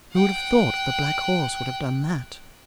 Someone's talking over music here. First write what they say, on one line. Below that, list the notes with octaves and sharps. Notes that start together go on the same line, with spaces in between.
Who would have thought the black horse would have done that?
F#5 G5